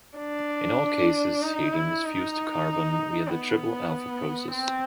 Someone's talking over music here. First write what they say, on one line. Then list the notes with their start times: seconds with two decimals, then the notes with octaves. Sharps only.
In all cases, helium is fused to carbon via the triple-alpha process.
0.18 D4
1.42 D#4
1.73 E4
2.05 D#4
3.28 B3
4.51 C4